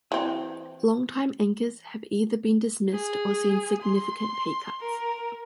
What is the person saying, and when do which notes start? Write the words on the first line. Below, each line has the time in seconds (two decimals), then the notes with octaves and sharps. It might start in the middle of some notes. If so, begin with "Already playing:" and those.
Longtime anchors have either been dismissed or seen significant pay cuts.
0.12 E3 C4
2.92 G#4
3.81 C6
4.80 A#4